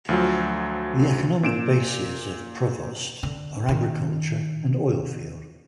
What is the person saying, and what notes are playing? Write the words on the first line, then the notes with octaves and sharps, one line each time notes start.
The economic bases of Provost are agriculture and oilfield.
D2 F3 F#3
A#2 D7 E7
D3
D#3